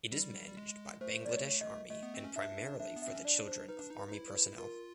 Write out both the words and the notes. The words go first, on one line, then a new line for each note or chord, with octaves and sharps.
It is managed by Bangladesh Army and primarily for the children of Army personnel.
G3
G3
G#3
A3 C5
D5
C#5
D#5
A3 D#5
B3
C4
C#4
D4 E5
D4 E5
B3
C4 E5
C#4
D4 D5
C5
D#4 B4
D4
D#4
B4
D#4
E4
B4
F4 A#4